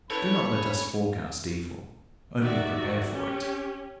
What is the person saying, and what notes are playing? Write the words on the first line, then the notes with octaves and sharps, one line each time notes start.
'Do not let us forecast evil, only prepare for it.'
G2 C#4 E4 A4 B4 C#5 B5
D#3 F#4 D5 E5
C#4 G4